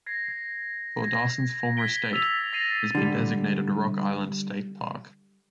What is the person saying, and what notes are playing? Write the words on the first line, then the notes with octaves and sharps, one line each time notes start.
Thordarson's former estate has been designated Rock Island State Park.
G#6 A#6 C7
G#6 A#6
G#6 B6 D7 G7
E6 A6 B6 F7
A6 A#6 C7 D#7 F7
D3 G3